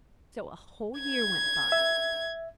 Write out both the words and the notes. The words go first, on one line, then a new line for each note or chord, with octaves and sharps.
So a whole year went by.
G#6
E5